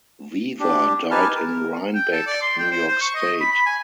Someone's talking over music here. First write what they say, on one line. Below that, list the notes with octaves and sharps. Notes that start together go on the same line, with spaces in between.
Weaver died in Rhinebeck, New York state.
D4 G4
D#4 G4 B4 G#5 A5 F6
A#4
G5
A4
D5
C6
G5
C5
C5
C#6
D#5
B5
B5
G#5